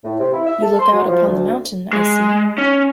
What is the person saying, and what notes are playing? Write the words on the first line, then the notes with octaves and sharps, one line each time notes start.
You look out upon the mountain, I see.
A2
C3
E4
E5
A4
C6
F#3
F3
D2
G#3
C#4